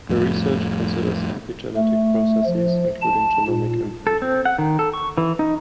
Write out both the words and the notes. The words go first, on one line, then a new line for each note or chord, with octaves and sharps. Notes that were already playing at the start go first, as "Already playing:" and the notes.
Her research considers epigenetic processes including genomic imprinting.
F2 A2
A3
F3
A5
A#2
A4
C4
F#5
D#3
A4
C#6
E3
D#4